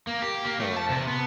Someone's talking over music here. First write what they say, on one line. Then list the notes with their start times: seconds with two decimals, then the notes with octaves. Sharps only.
Oh, man.
0.07 A#3
0.22 G4
0.45 A#3
0.60 A3
0.76 A5
0.90 C3
1.08 B3